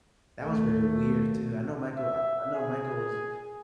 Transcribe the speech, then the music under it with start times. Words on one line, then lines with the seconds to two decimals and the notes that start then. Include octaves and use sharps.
that was very weird, too. I know Michael I I know Michael was
0.41 D#2 A3
1.97 E5
2.54 G#4